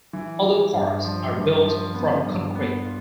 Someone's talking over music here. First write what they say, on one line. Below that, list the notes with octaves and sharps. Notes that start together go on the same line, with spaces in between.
Other parts are built from concrete.
E3
E3
G2
F3
G2
F3
B3
G2
B3
F4